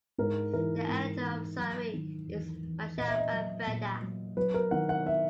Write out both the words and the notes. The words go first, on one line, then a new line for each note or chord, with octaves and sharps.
The editor of "Sarie" is Michelle van Breda.
G#2 A#4
E3 A#4
G#2
E3
F#3
D#3
E2
E2
A#2 D#5
E5
D#5
F#3
A#2
F#3
F#3 B4
A#4
D#3 F#5
F#5
E5